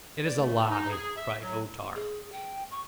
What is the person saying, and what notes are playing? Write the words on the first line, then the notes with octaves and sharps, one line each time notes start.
"It is a lie!" cried O-Tar.
D5
A3
D#4
G#4
E5
F#3
G#4
G5
C#6